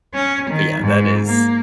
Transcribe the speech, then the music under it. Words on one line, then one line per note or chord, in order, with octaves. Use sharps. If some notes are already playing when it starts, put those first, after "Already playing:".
but, yeah, that is
C#4
D#3
G#2
A#3